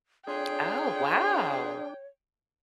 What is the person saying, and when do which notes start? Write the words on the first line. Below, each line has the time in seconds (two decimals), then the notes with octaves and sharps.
Oh, wow.
0.28 F2 D4 F4 G#4 C#5 G5